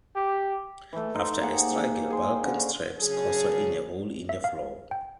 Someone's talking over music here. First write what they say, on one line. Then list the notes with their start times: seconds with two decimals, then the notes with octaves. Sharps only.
After a struggle, Balkan traps Corso in a hole in the floor.
0.16 G4
0.93 E3 A3
1.15 D#4 C5
1.40 A#3 G4 G#4 F#5
2.10 G#4 C5 G5
2.43 D3 C#4
2.99 C#3 F#3 C#4 D4 G#4
4.29 E5
4.44 F5
4.91 G5